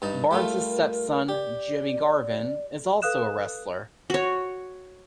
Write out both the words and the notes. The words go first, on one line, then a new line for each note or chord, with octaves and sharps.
Barnes' stepson, Jimmy Garvin, is also a wrestler.
G2 D#4 A5
G3 A3 F4 A#4
G4 D5
A4 B4 F5 D#6 F#6 E7
F#4 C#5